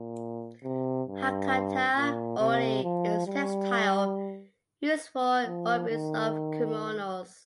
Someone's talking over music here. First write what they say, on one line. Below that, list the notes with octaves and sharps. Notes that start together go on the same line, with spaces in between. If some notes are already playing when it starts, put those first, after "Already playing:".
Hakata ori is a textile used for obis of kimonos.
Already playing: A#2
C3
G2
A#2
C3
F3
G3
F3
D#3